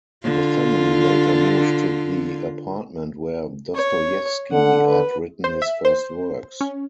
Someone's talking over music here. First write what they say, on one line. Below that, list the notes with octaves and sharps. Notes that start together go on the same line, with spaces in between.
The family later moved to the apartment where Dostoyevsky had written his first works.
D3 F4
C#5
D3 F#5
B4
C5
E5
C5
C#4